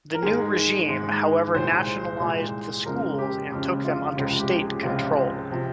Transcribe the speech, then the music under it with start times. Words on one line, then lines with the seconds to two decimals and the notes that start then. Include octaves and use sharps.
The new regime however nationalised the schools and took them under state control.
0.15 A#4
0.22 G#2 D#3 G#3 G#4
0.88 G#2 D#3 G#3
1.54 C2 A#2 G#3 C5
2.20 C2 A#2 G#3
2.86 F2 C#3 G#3 A#4
3.18 G4
3.51 F2 C#3 G#3 G4
3.85 F4
4.17 C#2 C3 F3 G#3
4.39 G4
4.61 G#4
4.83 C#2 C3 F3 G#3 F4
5.51 C3 F3